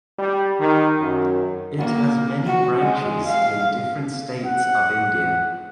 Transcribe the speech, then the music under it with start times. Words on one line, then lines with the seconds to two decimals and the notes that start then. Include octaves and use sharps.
It has many branches in different states of India.
0.19 G3
0.60 D#3
1.01 F#2
1.78 A#3
2.46 F#4
2.81 G#3
3.26 F5
4.46 F#5